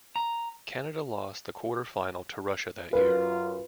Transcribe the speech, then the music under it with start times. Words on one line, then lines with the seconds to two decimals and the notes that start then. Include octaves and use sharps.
Canada lost the quarter-final to Russia that year.
0.16 A#5
2.93 F#2 F4 B4